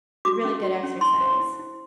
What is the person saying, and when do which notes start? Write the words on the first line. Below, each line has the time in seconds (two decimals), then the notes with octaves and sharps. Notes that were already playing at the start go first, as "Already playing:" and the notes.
Really good exercise.
0.25 F#4 D6
0.45 C#4
0.63 F#4
0.83 C#4
1.01 E4 C6
1.21 C5
1.40 E4
1.59 E4